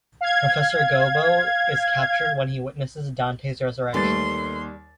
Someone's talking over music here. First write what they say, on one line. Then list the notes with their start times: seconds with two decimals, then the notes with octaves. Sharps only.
Professor Gobbo is captured when he witnesses Dante's resurrection.
0.21 F5 G#6
3.94 D#2 G3 A3 B3 C6 A6